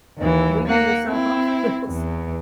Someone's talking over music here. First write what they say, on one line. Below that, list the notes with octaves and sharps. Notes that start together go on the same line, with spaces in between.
weaning yourself off of those
D#2 E3
A#3 F#5
C4 E4
E2